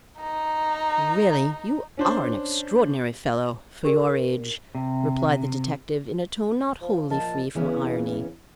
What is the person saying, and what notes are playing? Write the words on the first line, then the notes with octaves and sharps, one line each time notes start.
"Really--you are an extraordinary fellow--for your age!" replied the detective in a tone not wholly free from irony.
D#4 A#5
C#4 D4 C5
D4 F#4 G4 A#4 D5
C3
F3
A#2 F3 D#5 A5
E2 C#3 E3 B3 C#4